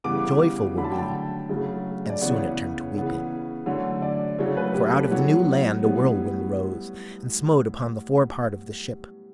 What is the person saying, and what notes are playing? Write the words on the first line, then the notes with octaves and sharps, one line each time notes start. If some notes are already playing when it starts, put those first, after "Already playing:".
Joyful were we, and soon it turned to weeping; For out of the new land a whirlwind rose, And smote upon the fore part of the ship.
C#3 E3 G3 B3 D6
D3 F#3 A3 B5
A5
G5
A5
C#3 F#3 A3
D5
C#3 E3 B3 C#5
C#3 E3 B3
D3 F#3 A3 C#5
D5
C#3 F#3 A3 C#5
B4
G4
A4
A2 F#3 B3 C#5
A2 G3 B3